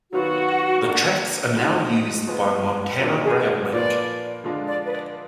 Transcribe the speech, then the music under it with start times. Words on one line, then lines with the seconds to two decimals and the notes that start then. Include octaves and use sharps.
The tracks are now used by Montana Rail Link.
0.12 D#3 F#3 B3 F4 F#4 B4
0.84 A#3 D4 F4 A#4
1.56 D3 G#3 D#4 F#4
2.27 F3 G#3 B3
2.99 A#2 F#3 A#3 D4
3.24 G#4
3.71 A#2 F3 A#3 F4 B4 D5
4.44 D3 F3 G#3 D4 F4
4.67 D5
4.86 B4
4.92 D5